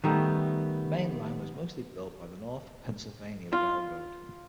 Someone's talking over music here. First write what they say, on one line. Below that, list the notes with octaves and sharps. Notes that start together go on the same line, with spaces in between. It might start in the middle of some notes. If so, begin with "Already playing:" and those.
The Main Line was mostly built by the North Pennsylvania Railroad.
D#3 G3 A3 B3
F4